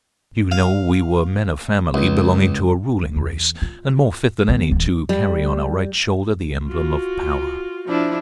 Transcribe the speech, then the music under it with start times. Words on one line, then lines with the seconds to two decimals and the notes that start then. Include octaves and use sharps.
You know we were men of family, belonging to a ruling race, and more fit than any to carry on our right shoulder the emblem of power.
0.52 F5
1.94 C#2
3.16 E2
3.62 F4
4.48 D#3 B3
4.72 D1 E3
5.09 G3
6.68 F4 F#4
7.88 F3 D4 E4